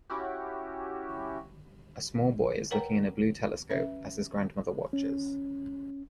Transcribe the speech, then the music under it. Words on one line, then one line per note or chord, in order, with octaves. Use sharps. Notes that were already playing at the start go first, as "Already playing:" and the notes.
A small boy is looking in a blue telescope as his grandmother watches.
C#4 E4 F#4 G4
A#4 B4 C#5 F#5 G5 A#5
C#4 B4 E5
C#4